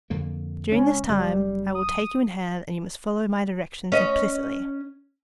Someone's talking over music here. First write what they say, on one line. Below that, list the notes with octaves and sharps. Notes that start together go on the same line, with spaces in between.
During this time I will take you in hand, and you must follow my directions implicitly.
F2 D3 A#3
C#2 C#4
F#1 G3
D#6
C#4 D#5